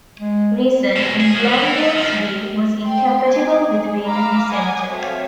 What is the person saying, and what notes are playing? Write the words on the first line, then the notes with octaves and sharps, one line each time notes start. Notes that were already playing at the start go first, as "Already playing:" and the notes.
Reason, in Glanvill's view, was incompatible with being a dissenter.
G#3
B2 G#3
G#4
F3 F#4
E3
A3
F#2 F3
G5 C6
G#5 D6
G#4
F5 A#5 B5 D6 E6 F6
F#5 G#5 D6 D#6
A3 C4 F#4 C#5 E5 F5